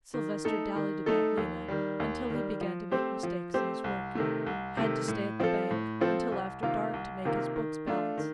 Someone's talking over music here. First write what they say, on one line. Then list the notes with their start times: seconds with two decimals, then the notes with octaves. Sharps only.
Sylvester dallied about Lena until he began to make mistakes in his work; had to stay at the bank until after dark to make his books balance.
0.14 D#3
0.45 A3 D#4 A4
0.76 D#3
1.06 A3 D#4 A4
1.37 D#2
1.68 D#3 G3
2.00 D#2
2.30 D#3 G3
2.61 F3
2.91 A3 C4 G4 C5
3.23 F3
3.54 A3 C4 G4 C5
3.84 C2
4.15 C3 D#3 A3
4.46 C2
4.77 C3 D#3 A3
5.08 A2
5.40 F3 C4 F4 A4
5.71 A2
6.01 F3 C4 F4 A4
6.32 C2
6.63 C3 D#3 A#3 F4
6.94 C2
7.25 C3 D#3 A#3 F4
7.56 D#3
7.87 A3 D4 F4
8.18 D#3